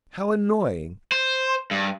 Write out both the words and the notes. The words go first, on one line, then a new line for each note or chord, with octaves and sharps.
'How annoying!
C5
G2